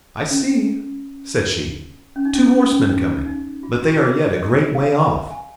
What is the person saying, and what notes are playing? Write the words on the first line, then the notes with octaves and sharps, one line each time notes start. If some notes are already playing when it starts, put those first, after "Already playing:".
"I see," said she, "two horsemen coming, but they are yet a great way off."
C#4
C#4
D#4
C#4
C#4
C#4
D#4
D#4
F4
F#4
G#4
C#5
C#5
D#5
F5
G#5
G#5